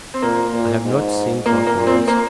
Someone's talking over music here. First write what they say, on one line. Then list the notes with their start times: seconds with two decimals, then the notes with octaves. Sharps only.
"I have not seen Gore for months."
0.14 C4
0.22 A#2 A#3
0.53 A#2
0.84 G#2
1.46 A#2 A#3
1.67 A#3
1.77 A#2
1.87 C4
2.08 A#3